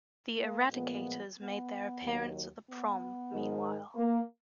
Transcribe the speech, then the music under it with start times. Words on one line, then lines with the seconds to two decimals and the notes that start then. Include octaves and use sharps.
The Eradicators make their appearance at the prom, meanwhile.
0.40 A#3
0.72 A#2 F3 G#3 B3
1.37 B3
2.02 D#2 D#3 F#3
2.67 B3
3.31 G#2 D#3 G#3
3.96 A#3